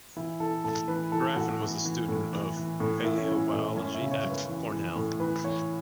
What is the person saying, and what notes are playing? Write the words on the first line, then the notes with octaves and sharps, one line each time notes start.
Graffin was a student of paleobiology at Cornell.
E3 E4
E3 A4
A2 A4
E3 B4
E3 A4
A2 F#4
E3
E3
A2
E3
E3
A2
E3 E4
C#4
E3 E4
A2
F#2 C#4
E5
C#3
C#5
F#2
B4
E3
E3
A2
E3 B4
E3 C#5